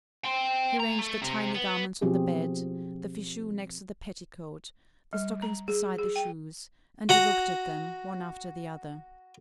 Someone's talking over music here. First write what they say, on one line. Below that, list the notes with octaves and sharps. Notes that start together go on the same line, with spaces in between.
He arranged the tiny garments on the bed, the fichu next to the petticoat, the stockings beside the shoes, and he looked at them, one after the other.
G5 C6
A#2 A#5
A3
C3
B3
B2 F3 C4 G4 G#4
G3
A#5
G#4
G#4
G5
F#4 F#5 A#5